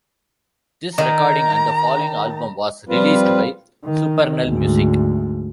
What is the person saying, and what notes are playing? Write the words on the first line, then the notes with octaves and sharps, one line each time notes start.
This recording and the following album was released by Supernal Music.
D#3 A#5
F3 G3 C4 F4 B4
D#3
D2 G#2